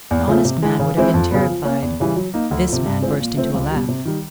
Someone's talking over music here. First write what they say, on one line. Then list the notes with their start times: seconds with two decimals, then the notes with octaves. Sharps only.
An honest man would have been terrified; this man burst into a laugh.
0.11 E2
0.28 C#3 F3 A3
0.45 C3
0.62 E3 G#3
0.79 C#3
0.97 E3 G#3 C4 E4
1.14 F2
1.31 C#3 F#3 B3
1.48 F3
1.65 A#3 C#4
1.82 E2
2.00 C#3 E3 G3
2.16 F#3
2.34 A#3 D#4
2.51 D2
2.68 C3 F3
2.86 G2
3.02 E3 G#3 C4 F4
3.20 A#2
3.37 F3 A3 C4
3.54 C#2
3.71 B2 G3
3.89 C3
4.05 D#3 G3